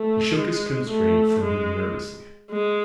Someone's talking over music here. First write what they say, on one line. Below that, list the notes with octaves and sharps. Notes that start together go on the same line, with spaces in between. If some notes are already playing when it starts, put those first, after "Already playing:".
He shook his constraint from him nervously.
Already playing: A3
G#3
A3
G#3
G#3